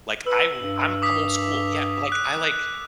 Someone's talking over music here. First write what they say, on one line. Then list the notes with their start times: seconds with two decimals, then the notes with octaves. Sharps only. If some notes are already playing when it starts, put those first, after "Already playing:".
Like, I wo I'm I'm old school. Yeah, like, I like
0.26 B4 E6
0.56 G2
1.02 D6 D#6 B6
2.12 F#6